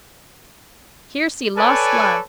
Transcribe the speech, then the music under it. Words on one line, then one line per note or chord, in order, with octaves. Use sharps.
Here see lost love.
A4 B4 C#5 D5 G#5